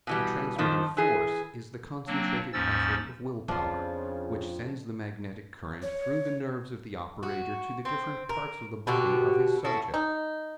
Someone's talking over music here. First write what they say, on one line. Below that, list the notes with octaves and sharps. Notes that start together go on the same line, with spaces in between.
The transmitting force is the concentrated effort of will-power, which sends the magnetic current through the nerves of the operator to the different parts of the body of his subject.
B2 E3 G3
F2 D#3 F3
E3 G#4
F#3 A#3 C4 D4
D#2 G#2 F3 C#4 E6 A6
F2 C#3 F3 D4 F4
C#5
F#4
C4
A#4
B2 D3 F#4 G4
E4 F#4 G#4 A4
D#4